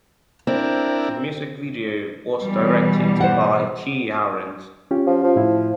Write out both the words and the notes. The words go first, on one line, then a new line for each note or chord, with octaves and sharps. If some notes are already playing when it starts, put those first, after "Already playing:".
The music video was directed by Kii Arens.
C4 D4 E4 A#4
B2 E3 G3
C5 F#5
C#4 F4 G4
F3
F3
A2 E4